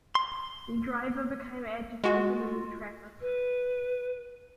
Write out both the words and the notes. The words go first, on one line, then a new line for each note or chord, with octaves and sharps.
The driver became agitated in the traffic.
C6
G#3 F4 F#4
B4